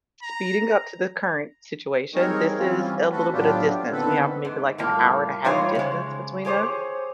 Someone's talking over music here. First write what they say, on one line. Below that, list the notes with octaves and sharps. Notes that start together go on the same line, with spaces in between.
speeding up to the current situation, this is a little bit of distance, we have maybe like an hour and a half distance between us,
A#5
G3 C4 D#4 G#4 A#4 C#5
E3 G3 C4 C#4 F4
A3 F#4 A4 B4
A2 F#3 B3 D4 F4 G4
F4
D3 D#3 B3 C4 A4 B4
G#2
A2 G3 A#3 F4
E3 G3 D#4 F4 C5 C#5
C#3 G#3
G4 G#4 C5 C#5